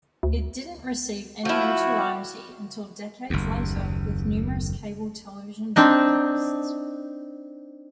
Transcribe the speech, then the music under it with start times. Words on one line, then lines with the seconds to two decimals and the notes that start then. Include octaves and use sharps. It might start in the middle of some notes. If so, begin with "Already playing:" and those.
It didn't receive any notoriety until decades later with numerous cable television broadcasts.
0.23 D2
1.45 F3 E4 F#4
3.30 F#1 D#2
5.76 C4 D4 D#4